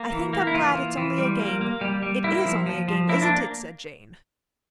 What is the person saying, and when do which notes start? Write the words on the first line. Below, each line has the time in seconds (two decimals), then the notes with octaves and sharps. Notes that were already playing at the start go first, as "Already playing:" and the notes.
'I think I'm glad it's only a game; it IS only a game, isn't it?' said Jane.
Already playing: A#3
0.12 E3
0.33 A#3
0.47 E4
0.54 E3 F4
0.75 E3
0.97 E3
1.18 G3
1.40 A#3
1.61 A#3
1.81 G3
2.03 G3
2.24 A#3 E4
2.45 F3
2.66 F3
2.88 F3
3.09 A#3 E4
3.22 D4
3.30 A#3